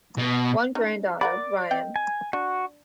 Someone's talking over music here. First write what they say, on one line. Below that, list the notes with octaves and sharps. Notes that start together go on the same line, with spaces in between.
One granddaughter, Ryan.
B2
C#4 D#4
A#4 D5 F#5 B5
C4 D#5 G5
G#5
D4 F#4